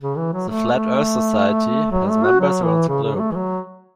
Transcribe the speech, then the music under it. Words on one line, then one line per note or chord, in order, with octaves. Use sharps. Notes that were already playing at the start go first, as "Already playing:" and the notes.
The Flat Earth Society has members around the globe.
C#3
E3
F#3
A3
A3
F#3
A3
F#4
F#3
E3
C#3
C#3
F#3
A3
E3
F#3